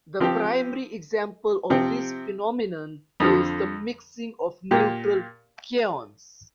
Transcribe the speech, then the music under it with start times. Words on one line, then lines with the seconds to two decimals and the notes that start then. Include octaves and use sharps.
The primary example of this phenomenon is the mixing of neutral kaons.
0.20 F3 C4 G4
1.70 C3 F3 C4
3.20 F2 D3 F3
4.71 A#2 A#3 G4